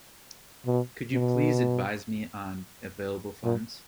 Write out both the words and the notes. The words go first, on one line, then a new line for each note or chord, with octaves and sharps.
Could you please advise on available funds?
B2
B2
A#2